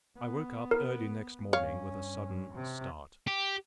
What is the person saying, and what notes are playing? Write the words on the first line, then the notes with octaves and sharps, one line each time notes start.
I woke up early next morning with a sudden start.
B3
A#4
G2 C#4 C#5 F5
C3
G4